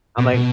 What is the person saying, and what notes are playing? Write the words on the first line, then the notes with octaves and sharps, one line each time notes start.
I'm like
B2
B2